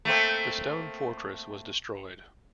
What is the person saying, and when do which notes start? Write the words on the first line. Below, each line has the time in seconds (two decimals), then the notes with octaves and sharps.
The stone fortress was destroyed.
0.05 A3 A#3 C4